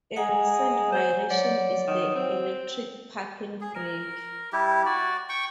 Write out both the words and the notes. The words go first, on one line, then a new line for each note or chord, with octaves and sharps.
A recent variation is the electric parking brake.
G#3 F#5 G#5 A#5
C5
F#3 C#5 D5 F#5
D#3
C4
G#4
A#4
G3 E4 G4
F#4 D5
G5 C#6